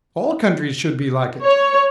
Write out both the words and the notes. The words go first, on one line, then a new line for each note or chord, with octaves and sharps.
All countries should be like it!
C#5